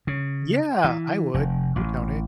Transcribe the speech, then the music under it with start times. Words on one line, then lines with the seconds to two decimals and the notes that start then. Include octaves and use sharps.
Yeah, I would, I would count it.
0.07 C#3
0.84 E3
1.34 F1
1.76 A1